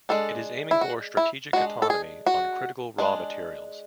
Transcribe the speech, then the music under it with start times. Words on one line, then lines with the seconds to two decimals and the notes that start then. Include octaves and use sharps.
It is aiming for strategic autonomy on critical raw materials.
0.09 G#3 D4 A4
0.71 E4
0.81 F#4
1.17 E4
1.53 G#3 D4 F#4
1.82 A4
1.90 G#4
2.26 F#4
2.98 G#3 D4